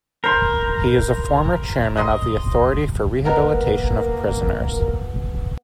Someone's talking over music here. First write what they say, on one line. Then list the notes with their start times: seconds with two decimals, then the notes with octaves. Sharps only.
He is a former Chairman of the Authority for Rehabilitation of Prisoners.
0.24 A#4 C5 B5 C6
1.97 D#5 C6
3.25 A#3 B3 A#4 D#5 A#5